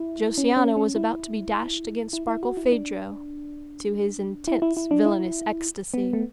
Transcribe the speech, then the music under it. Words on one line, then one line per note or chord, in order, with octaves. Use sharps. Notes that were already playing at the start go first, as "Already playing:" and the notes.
Josiana was about to be dashed against Barkilphedro, to his intense villainous ecstasy.
Already playing: E4
C#4
C#4
C#4
E4
E4
E4
F#4
E4
D4
E4
E4
E4
D4
E4
B3
A3